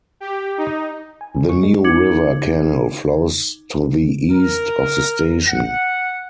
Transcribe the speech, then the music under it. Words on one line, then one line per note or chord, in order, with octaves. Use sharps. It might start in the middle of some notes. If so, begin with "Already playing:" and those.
The New River canal flows to the east of the station.
G4
D#4
G#5
D#2
C#6
G#3
D#4 D6 G#6 C#7 F#7
A#4
F#5